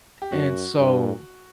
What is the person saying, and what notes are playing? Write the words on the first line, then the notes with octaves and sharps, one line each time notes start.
and so
G4
F#2 F#4
G2